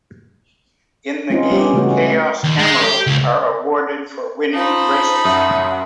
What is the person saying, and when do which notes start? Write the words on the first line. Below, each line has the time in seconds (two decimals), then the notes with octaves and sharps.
In the game, Chaos Emeralds are awarded for winning races.
1.30 G#3 C4 C#4 D#4 F4
1.50 G3 B3 C#4 G4
1.73 C#3 E3 G#3 A3 C#4 F#4
2.44 D#2
2.58 G#3
2.81 G4
3.07 C#2
4.53 D#4 F4 C5 A5 B5
5.25 F#2 E5 F#5 D#6